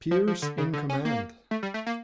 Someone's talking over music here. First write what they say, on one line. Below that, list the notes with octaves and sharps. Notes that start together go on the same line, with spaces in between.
Pierce in command.
F3
F3
D3
C#3
D3
C#4
A#3
A3
G3
A3
A#3